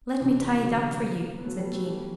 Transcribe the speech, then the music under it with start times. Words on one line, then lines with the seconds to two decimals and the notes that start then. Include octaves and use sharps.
"Let me tie it up for you," said Jean.
0.20 C3 E3
0.57 E3
0.62 D3 F#3
1.38 B3
1.44 F#3 A3
1.58 G3 B3
1.72 F#3 A3
1.86 E3 G3